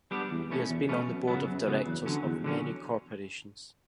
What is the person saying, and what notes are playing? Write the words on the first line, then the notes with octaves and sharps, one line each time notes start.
He has been on the board of directors of many corporations.
G3 B3 D4 G4
E2
B2 A3 C#4
E2
B2 A3 C#4
F#2
C#3 F#3 B3
F#2
C#3 F#3 B3
E2
D3 F#3 C#4
E2
D3 F#3 C#4